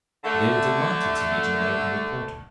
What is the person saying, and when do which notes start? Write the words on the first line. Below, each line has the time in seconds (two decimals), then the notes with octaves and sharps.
They were delighted to meet an American reporter.
0.24 D3 A3